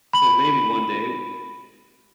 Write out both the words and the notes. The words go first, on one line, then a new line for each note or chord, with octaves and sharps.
So, maybe one day.
B5 F#7